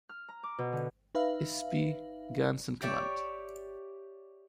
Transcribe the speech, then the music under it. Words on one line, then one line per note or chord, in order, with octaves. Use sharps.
S. P. Gantz in command.
F6
A#5
D6
B2
D3
D#4 B4 E5 F5
G4 C#5 D5 E5